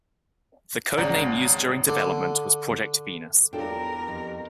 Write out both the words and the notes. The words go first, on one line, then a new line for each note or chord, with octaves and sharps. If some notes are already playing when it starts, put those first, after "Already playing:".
The codename used during development was Project Venus.
G#1 C#3 C#5 D5 F#5 A#5
D3
E2 F#3 D4 F4 G4 A4 A#4 G5
F2